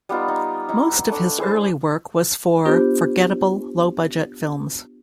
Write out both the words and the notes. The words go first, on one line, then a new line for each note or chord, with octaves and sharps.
Most of his early work was for forgettable low-budget films.
G3 B3 D#4 F4
D#4
D#4 E4
A3 D4
E4 G#4 C5
B3 D4 F4 G4 C5